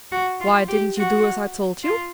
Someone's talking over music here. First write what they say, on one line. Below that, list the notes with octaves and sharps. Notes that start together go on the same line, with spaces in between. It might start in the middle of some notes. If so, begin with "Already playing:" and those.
"Why didn't you do as I told you?"
F#4
F4
G4
F#4
F4